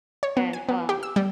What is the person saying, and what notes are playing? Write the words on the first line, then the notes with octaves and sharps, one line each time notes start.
And, um
C#5
B3
G#5
B3
G4
E6
G3